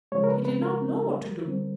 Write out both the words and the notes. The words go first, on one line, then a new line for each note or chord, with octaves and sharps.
He did not know what to do.
C#3 F3 G#3 C#5
A#4
B4
B4
A#4
D3 G3 C4